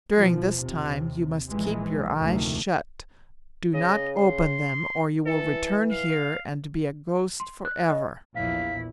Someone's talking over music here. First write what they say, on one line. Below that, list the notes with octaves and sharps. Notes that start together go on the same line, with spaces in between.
During this time you must keep your eyes shut; do not open them, or you will return here and be a ghost forever.
B2 F3
D#2 C3
A#1 E3 G#3
F1 D2 D#3 A3 A#3
C#3 D#5
C6
E3 A4
F5
C6
F#6
D#5
A#1 E2 A#2 E4 F5 B6